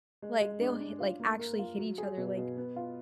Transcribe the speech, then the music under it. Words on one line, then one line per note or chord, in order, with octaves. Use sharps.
like, they'll hit like, actually hit each other, like
G#3
G#3
D4
D4
F4
A#3
A#4
F4
F#3
G#4
B2
B2
B3
F4